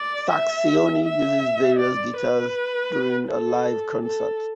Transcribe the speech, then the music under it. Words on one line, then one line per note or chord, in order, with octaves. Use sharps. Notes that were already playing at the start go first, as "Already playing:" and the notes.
Sacksioni uses various guitars during a live concert.
Already playing: D5
E5
E5
D5
B4
A4
A4